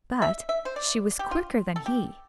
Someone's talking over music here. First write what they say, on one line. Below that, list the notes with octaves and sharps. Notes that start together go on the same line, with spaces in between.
But she was quicker than he.
E5
E5
C5
D5
G4
F4
A4
G4